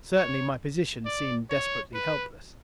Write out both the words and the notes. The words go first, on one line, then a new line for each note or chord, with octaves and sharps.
Certainly my position seemed desperately helpless.
C#5
D5
C#5
B4